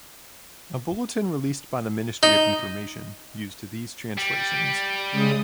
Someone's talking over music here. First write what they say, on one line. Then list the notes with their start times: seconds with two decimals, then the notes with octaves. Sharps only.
A bulletin released by the Ministry of Information used these translations.
2.23 D#4
4.17 G3
5.11 C#3 G#3 D#6